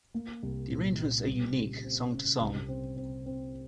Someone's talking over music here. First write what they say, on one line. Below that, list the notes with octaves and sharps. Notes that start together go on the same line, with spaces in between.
The arrangements are unique, song to song.
A#3
C2
A#2
A#2
G3
C#3
C4
C#3
C2
C4
C4
C4